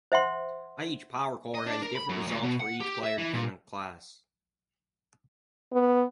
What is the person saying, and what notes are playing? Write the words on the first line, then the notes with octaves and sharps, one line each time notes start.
Each Power Core has different results for each player depending on class.
C5 E5 F#5 C6
D#5
D4
A#4
B5
F#2
D2
B2
F#5
G4
E5
E3
A#2
B3